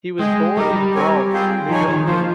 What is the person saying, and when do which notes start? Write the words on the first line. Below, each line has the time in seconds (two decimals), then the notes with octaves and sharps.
He was born in Bronx, New York.
0.19 G#3 G#4 D#5 G5
0.57 G3 D#4 G4 A#4 D#5
0.76 G3
0.94 C4 G4 A#4 C#5 G#5
1.32 C4 F4 G#4 C5 G5
1.69 F3 D#4 G#4 C#5 G#5
1.88 D#3
2.07 F3 A#3 F4 C5